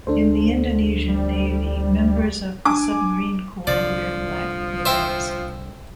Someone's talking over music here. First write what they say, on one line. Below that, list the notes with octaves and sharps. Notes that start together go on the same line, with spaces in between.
In the Indonesian Navy, members of the Submarine Corps wear black berets.
D2 D4 A4 C5
G3
D4 G#5 D6
C2 D3 F3 D5
C5 E5 G5